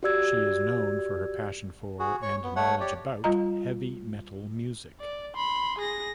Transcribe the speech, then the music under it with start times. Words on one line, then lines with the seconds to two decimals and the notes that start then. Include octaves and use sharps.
She is known for her passion for and knowledge about heavy metal music.
0.03 F#4 G4 D5 E6 G#6
1.99 F#4 G#4
2.22 C#5 C#6
2.43 B3
2.56 A3 C#5 F#5
2.80 G4 C#5 D5
3.24 G3 F4 D#5 A#5
5.00 D5
5.34 B5 C6
5.78 G#4 A#6